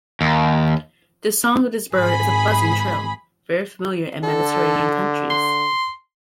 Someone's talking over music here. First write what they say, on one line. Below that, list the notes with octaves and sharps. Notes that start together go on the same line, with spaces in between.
The song of this bird is a buzzing trill, very familiar in Mediterranean countries.
D#2
G#1 G#4 B5
D3 A4
C6